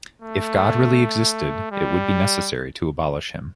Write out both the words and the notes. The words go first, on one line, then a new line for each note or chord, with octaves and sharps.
If God really existed, it would be necessary to abolish him.
A3
G3